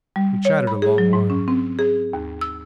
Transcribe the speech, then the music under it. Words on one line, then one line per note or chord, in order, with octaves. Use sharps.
We chattered a long while.
G3
C#5
B5
G#4
F#3
G#2
C#4
C4
G#4
D#2
E6